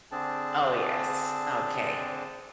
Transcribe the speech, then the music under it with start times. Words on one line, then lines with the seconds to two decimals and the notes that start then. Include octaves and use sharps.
Oh, yes. Okay.
0.12 D3 C4 D4 G#4 A5